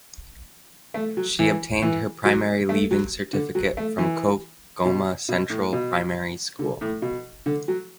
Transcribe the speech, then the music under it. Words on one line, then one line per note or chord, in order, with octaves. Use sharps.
She obtained her Primary Leaving Certificate from Koch Goma Central Primary School.
A3
F#3
E3
E3
F#3
A3
F#3
D3
F#3
A3
E3
B2
B2
A2
B2
D3
A2
B2
D3
F#3